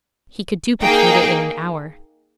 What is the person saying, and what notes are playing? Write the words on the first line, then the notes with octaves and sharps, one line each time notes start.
He could duplicate it in an hour.
A#3 D#4 G#4 G5